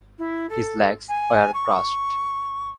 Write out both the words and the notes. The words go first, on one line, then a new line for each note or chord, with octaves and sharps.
His legs were crushed.
E4
A4
G#5
C#6